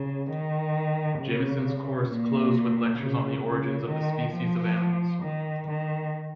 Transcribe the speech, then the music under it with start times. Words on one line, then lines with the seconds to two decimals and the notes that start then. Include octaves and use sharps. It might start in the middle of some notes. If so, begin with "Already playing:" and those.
Jameson's course closed with lectures on the "Origin of the Species of Animals".
Already playing: C#3
0.30 D#3
1.19 C#3
2.08 A#2
2.98 C#3
3.43 C#3
3.88 D#3
4.33 F3
5.22 D#3
5.68 D#3